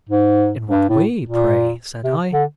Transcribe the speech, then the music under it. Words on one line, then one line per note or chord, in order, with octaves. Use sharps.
'In what way, pray?' said I.
G#2
G2
A2
A#2
C3
D3